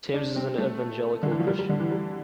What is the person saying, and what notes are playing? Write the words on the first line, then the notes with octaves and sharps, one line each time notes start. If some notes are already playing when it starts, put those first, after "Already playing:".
Timms is an evangelical Christian.
D4
C4
A3
D3
E3
F3
G3
G3
D3
E3
G3